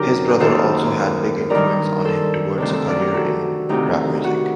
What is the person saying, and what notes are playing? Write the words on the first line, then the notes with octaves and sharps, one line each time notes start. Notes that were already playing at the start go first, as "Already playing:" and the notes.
His brother also had big influence on him towards a career in rap music.
Already playing: F#2 D3 D#4 G4 A#4
D#2 D#3 A4 C5
G2 D#3 A#4 D5
A4 C5
D2 C3 D#3 A4 C5
A4 C5
A#4 D5
G4 A#4
F#4 A4
D2 C3 D#3 D#4 G4
F#4